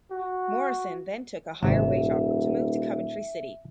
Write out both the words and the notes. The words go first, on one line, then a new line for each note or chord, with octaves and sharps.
Morrison then took a higher wage offer to move to Coventry City.
F#4
D#1 G#1 C3 E5